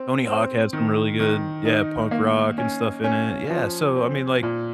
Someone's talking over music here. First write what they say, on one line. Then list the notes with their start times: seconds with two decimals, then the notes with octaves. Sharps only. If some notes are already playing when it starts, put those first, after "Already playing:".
Tony Hawk had some really good, yeah, punk rock and stuff in it. Yeah, so I mean, like
Already playing: C4
0.27 C4
0.73 D#3
1.20 D#3
1.65 D#4
2.11 A#3
2.58 C#4
3.04 C#4
3.50 F3
3.96 C4
4.43 A#2